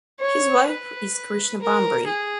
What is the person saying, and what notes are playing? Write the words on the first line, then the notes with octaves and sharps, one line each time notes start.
His wife is Krishna Bhambri.
C#5
B4
A#4
G#4